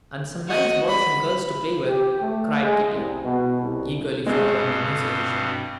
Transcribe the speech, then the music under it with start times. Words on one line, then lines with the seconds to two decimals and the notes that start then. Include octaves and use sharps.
"And some nice boys and girls to play with," cried Kitty, eagerly following the new suggestion.
0.47 F#4 D#5
0.87 B5
1.87 G4
2.20 A3
2.60 G#3
2.92 C2
3.23 B2
3.59 C2
4.26 G2 B2 G#3 C4